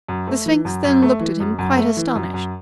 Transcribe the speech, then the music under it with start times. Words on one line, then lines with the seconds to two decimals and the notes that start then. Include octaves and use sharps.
The Sphinx then looked at him quite astonished.
0.08 F#2
0.28 A3
0.46 E3
0.65 F#2
0.84 F#2
1.02 A3
1.20 E3
1.40 F#2
1.59 F#2
1.77 A3
1.97 E3
2.15 F#2
2.34 F#2